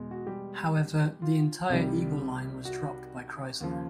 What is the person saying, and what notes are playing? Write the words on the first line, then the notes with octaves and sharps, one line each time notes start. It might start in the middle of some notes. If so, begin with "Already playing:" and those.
However, the entire Eagle line was dropped by Chrysler.
Already playing: E2 B2 G#3
F#4
G3 G4
F4
C2 C3 D#3 G3
F#4
D#2 C#3 F3